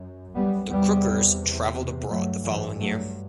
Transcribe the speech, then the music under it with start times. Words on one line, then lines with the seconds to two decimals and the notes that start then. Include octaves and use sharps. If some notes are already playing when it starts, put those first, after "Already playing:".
The Crookers traveled abroad the following year.
Already playing: F#2
0.35 G3 B3
0.70 E2 C3 G3 B3
2.09 G2 F#3 A3
2.45 E3 G3
2.79 F#3 A3